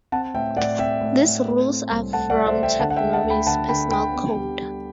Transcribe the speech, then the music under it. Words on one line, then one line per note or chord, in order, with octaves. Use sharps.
These rules are from Chuck Norris' personal code.
C4 F#5 A5
A2 E5 G5
A2 D5 F#5
C4 E5 G5
A2
A2
A3
C4
C2
A3 F#5 A5
D5 F#5
A3
C5 E5
A3
E5 G5
D3 F#5 A5
F#5
E5 G5
D2
F#5 A5
D2
G5 B5
D3 F#5 A5
D3 G5 B5
D3 G5 B5
B3
G3
G3